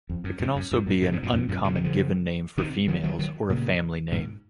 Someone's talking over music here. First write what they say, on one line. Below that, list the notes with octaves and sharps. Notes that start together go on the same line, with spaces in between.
It can also be an uncommon given name for females or a family name.
F2
F#2
F2 G#2
F#2
F#2
F#2 A#2
G#2 C3
G#2 C3
F#2 A#2
F2 G#2
F#2 A#2
A#2 C#3
C3 D#3
C#3 F3
C3 D#3
D#3 F#3
D#3 F#3
D#3 F#3
A#2 C#3
G#2 C3